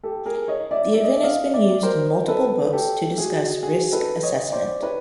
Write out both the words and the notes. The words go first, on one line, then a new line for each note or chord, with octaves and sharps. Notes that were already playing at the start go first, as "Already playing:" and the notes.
The event has been used in multiple books to discuss risk assessment.
G4 A4
G#4 A#4
C#5 D#5
D5 E5
D5 E5
D#5
E5
D#5 F5
D5 E5
A#4 C5
A4 B4
G4 A4
F#4 G#4
F#4 G#4
A4 B4
C#5 D#5
C5 D5
B4 C#5